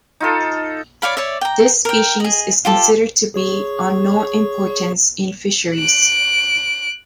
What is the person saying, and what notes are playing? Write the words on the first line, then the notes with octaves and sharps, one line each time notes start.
This species is considered to be on no importance in fisheries.
D#4 F4 A4
C#5 D5 F5 B5
C#5 D5 E5
G5 A#5
A#4 G5
G#4 D#5
F4 G4 A4
G#4 C#5 C#6
F#6 D7